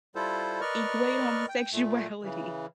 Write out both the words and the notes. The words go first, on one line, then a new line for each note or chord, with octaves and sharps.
equate homosexuality?
G3 E4 F4 A4 C5
A#4 B4 D5 D#5 C#6 F6
G5
A#2 A3
C#3 E3